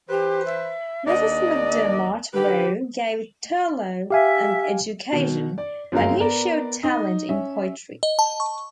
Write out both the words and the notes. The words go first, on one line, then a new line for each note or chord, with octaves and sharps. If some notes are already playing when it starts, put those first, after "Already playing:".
Mrs. MacDermott Roe gave Turlough an education, and he showed talent in poetry.
E3 G4 B4 C5
E5
D#2 D4 D5 D#5
D3 D#3 G4 B4
G4 E5 F5 G#5
B2 D#3
D5
G1 F#2 G#3 A#4 F5
B3 A#4 D5
D#4
C#4 E5
D#5
A5
C#6